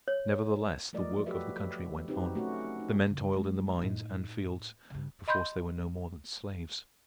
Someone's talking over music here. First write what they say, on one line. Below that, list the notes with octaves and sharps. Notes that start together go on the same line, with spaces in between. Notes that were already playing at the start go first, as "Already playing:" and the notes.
Nevertheless the work of the country went on. The men toiled in the mines and fields--perforce they were no more than slaves.
C#5
F3 F#3 A3 A#4 D5 D#5
F#4 G4 A4 B4 E5
C4 D#4 F#4 G4 B4
A3 C#4 F#4
D#4
C#3 F#3
G#3 C#4
A2 D#4
G2 C#3
D#5 B5 C6 G6